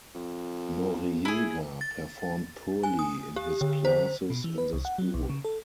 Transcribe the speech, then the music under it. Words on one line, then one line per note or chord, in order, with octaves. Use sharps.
Noriega performed poorly in his classes in the school.
F2
E4 G#4
A6
G#5
D#6
G4
D3
C5
B2
E3
B4
C2
F#5
F#3
B1
C#3
A4